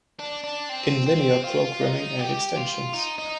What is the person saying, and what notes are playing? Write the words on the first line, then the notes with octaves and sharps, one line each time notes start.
In Linear Programming and Extensions.
D4
D4
C4
C4
F4
D#4
G4
F4
D#4
D#4